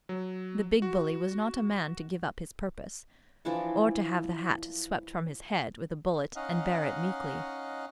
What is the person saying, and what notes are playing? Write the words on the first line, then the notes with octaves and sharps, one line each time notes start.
The big bully was not a man to give up his purpose, or to have the hat swept from his head with a bullet and bear it meekly.
F#3
F#4
E3 F3 D4 E4
C#4 D#4 D#5 F5 F#5